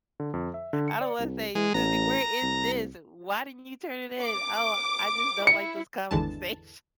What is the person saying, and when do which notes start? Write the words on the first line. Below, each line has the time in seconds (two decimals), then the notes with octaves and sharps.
I don't wanna say, Suzie, where is this? Why didn't you turn it in? Oh, I just don't, like, this conversat
0.20 D3
0.34 F2
0.54 E5
0.73 D3
0.88 C#7
1.01 D5
1.19 C2
1.55 E3 G#3
1.74 A1 A#5
2.42 C2
4.23 D6
5.47 E4 C#7
6.11 G#1 E2 D3 E3 G#3 A5